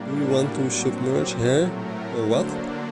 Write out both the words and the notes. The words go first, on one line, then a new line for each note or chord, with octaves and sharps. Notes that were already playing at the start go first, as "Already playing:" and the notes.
Do you want to submerge her or what?
Already playing: A2 G3 A#3 D4
F#4
A#2 F#3 C4 F#4
G4
A2 F#3 A3 A#4
A#4
D3 F#3 A#3 D4 C5